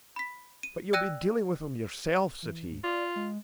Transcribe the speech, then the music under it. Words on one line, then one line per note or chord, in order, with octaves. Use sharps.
"But you'll be dealing with him yourself!" said he.
B5 B6
D#7
D5 G5 E6 F#6 A#6 D#7
E3
G#2
F4 D5
G#3